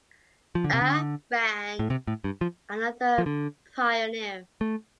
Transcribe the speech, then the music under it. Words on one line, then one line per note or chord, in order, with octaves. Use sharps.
A. Rand, another pioneer.
F3
D3
C3
D3
A2
C3
A2
G2
F3
F3
D3
A3